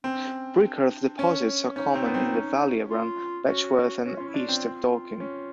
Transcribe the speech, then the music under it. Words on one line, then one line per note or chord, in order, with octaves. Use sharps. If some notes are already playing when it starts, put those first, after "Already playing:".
Brickearth deposits are common in the valley around Betchworth and east of Dorking.
C4 C#4
D4
C#4
D4
C#4
C#4 D#4
C4
B3
C4
C#4
F4
C#4 F#4
C#4 F#4
C#4 F4
E4
D4
F4
C4
C#4